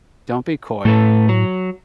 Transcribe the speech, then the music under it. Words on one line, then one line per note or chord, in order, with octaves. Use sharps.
don't be coy.
A2 A3 A4 B4
F#3